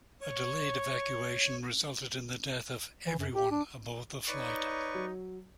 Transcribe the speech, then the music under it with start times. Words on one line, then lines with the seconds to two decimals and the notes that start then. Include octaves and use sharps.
A delayed evacuation resulted in the death of everyone aboard the flight.
0.21 C#5 C#6
3.07 E3
3.19 F#2
3.33 G4
3.51 D4
4.28 D#4 B4 C#5 D5 C#6
4.94 F#3